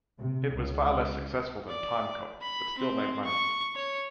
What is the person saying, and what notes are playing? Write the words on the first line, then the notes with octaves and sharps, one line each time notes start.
It was far less successful than "Timecop" but still made money.
C3
C#2
D5
B5
C4
C#6
C#5